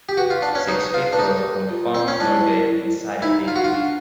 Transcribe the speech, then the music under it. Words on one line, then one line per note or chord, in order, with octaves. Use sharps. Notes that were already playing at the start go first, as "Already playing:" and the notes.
Six people were found murdered inside the bakery.
G4
F#4 B4
F4
D4
C#4
D#4
F4
D4
D#4
F4
C4
C#4
D4 E4
D#4 E4
F4
F#4
F4
D4